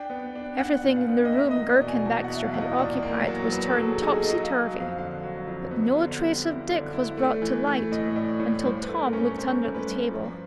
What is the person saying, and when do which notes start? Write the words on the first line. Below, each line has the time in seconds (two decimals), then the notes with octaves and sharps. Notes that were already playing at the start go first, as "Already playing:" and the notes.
Everything in the room Girk and Baxter had occupied was turned topsy-turvy, but no trace of Dick was brought to light until Tom looked under the table.
Already playing: D4 G5
0.10 B3
0.35 D4
0.59 D4 F#5
0.83 A#2
0.96 F5
1.08 B3
1.25 D#5
1.32 A#3 E5
1.51 D#5
1.57 E2
1.69 D5
1.81 B2
1.88 G#5
2.05 E2 A5
2.24 F#5
2.29 B2 E5
2.43 F5
2.54 E2
2.61 D#5
2.78 A#2 D5
3.03 A#3
3.15 C#5
3.27 F#3
3.52 F#3 B4
3.70 A4
3.76 F#3
3.88 G#4
4.01 D#4 G#4
4.07 A4
4.25 F#3 D#5
4.43 F5
4.50 F#3
4.73 F2
4.80 F5
4.98 D3 F5
5.23 F#3
5.47 F2
5.71 B3
5.96 D3
6.20 G3
6.45 E4
6.70 D3
6.93 E4
7.17 A3
7.42 E3
7.67 A3
7.91 A2 D#5
8.11 D#5
8.15 A2 D5
8.40 A2 C#5
8.64 G2 C5
8.83 B4
8.88 A3
9.01 A#4
9.13 C#4
9.19 C#5
9.38 C#4 C5
9.61 A3
9.74 B4
9.87 G2
10.11 F3